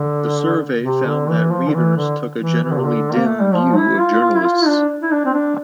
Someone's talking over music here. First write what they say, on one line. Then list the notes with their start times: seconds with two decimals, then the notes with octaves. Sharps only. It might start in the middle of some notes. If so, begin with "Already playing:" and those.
The survey found that readers took a generally dim view of journalists.
Already playing: D3
0.83 C3
1.06 D3
1.29 E3
1.51 F3
1.68 D3
1.74 E3
1.97 D3
2.41 E3
2.63 E3
2.71 D3
2.78 C3
2.85 D3
3.13 A#3
3.25 A3
3.40 G3
3.54 F3
3.77 E4
3.99 F4
4.21 F4
4.37 E4
4.44 F4
4.66 D4
5.02 E4
5.11 D4
5.26 C4
5.34 D4